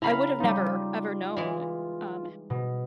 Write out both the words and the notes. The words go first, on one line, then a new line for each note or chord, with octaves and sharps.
I would have never ever known, um, ha
C#3 F#3 E4 F5 A#5 B5
G3 D#4 F4
E3 G#3
B2